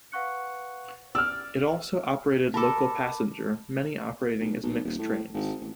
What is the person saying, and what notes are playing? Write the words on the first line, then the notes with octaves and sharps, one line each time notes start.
It also operated local passenger, many operating as mixed trains.
B4 F5 F#5 C#6 F#6 C#7
D5 E6 F6
A4 A#4 A5 B5 D6
B1
B1
D#1
A2
G#1
A1